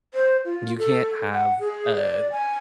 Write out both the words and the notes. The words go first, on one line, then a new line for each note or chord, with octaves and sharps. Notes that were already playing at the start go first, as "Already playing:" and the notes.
You can't have a
C5
F4
A4
F#5
G#4
D5
G#5